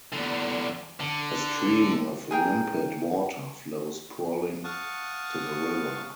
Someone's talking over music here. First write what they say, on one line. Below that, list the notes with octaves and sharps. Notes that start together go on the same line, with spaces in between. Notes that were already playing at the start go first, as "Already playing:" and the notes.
A stream of limpid water flows purling to the river.
E2 D3
D3
G#4 A#4 G5
F5 F#5 A5 C#6 D#6